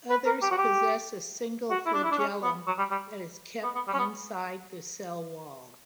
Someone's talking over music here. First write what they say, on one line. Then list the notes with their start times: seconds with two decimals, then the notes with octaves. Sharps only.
Others possess a single flagellum that is kept inside the cell wall.
0.10 B4
0.26 A#4
0.42 G4
0.51 F#4
0.58 G4
1.70 F#4
1.86 E4
1.94 D4
2.04 E4
2.11 D4
2.18 C#4
2.43 B3
2.67 F#3
2.78 G3
2.91 G3
3.63 B3
3.75 B3
3.88 G3
3.93 C#4
3.99 B3